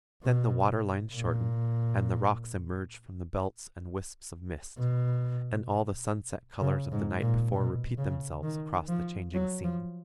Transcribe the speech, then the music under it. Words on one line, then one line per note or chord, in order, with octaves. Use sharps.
Then the water-lines shorten and the rocks emerge from the belts and wisps of mist; and all the sunset colours of the night before repeat themselves across the changing scene.
B2
A#2
B2
C#3
G#2
A#2
B2
C#3
D#3
F3
F#3
F3